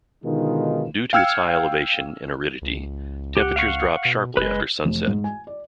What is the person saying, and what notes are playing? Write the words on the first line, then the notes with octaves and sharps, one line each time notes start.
Due to its high elevation and aridity, temperatures drop sharply after sunset.
B2 D3 D#3 G#3 D#4 F4
F5 G5 E6 F6 G#6 C#7
C#2
G4 F#5
F5 F#5 C#6
B2
F#1 G#3 B4
F1
G#2
G#5
D5